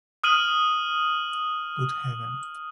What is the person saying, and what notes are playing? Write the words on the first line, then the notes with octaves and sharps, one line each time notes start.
Good heaven!
D#6 F6 D#7 F#7